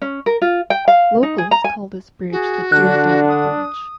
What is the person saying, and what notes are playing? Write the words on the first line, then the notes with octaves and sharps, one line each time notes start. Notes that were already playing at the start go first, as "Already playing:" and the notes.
Locals call this bridge the Daredevil Bridge.
C#4
A#4
F4
G5
F5
D#4
G#4
A#5
G#5
F#4 G#4
D3 D4 F#6
D#6